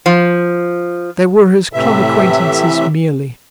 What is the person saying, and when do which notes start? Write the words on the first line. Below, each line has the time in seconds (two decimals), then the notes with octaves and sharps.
They were his club acquaintances merely.
0.06 F3
1.73 A2 C3 E3 E5